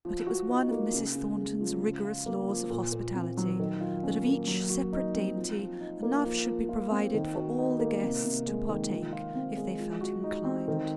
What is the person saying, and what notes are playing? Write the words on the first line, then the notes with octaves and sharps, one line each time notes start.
But it was one of Mrs. Thornton's rigorous laws of hospitality, that of each separate dainty enough should be provided for all the guests to partake, if they felt inclined.
F3
F#4
D#4
A#3
C#3
C#3
G#3
F3
C#3
F4
A#3
F3
A#2
A#2
C4
F#3
D#3
F4
C#4
A#3
F#3
F#4
D#4
C4
F3
F3
D#4
A#3
F3
F3
F4
C4
D#3
F#4
D#4
A#3
C3
C3
G#3
D#3
F3
F4
C4
G#3
F3
F#4
D#4
C4
D#3